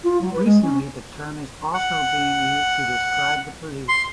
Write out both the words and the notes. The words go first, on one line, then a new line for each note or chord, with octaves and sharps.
Recently, the term is also being used to describe the police.
F4
F#3
B4
G#3
C#4
F#5
C6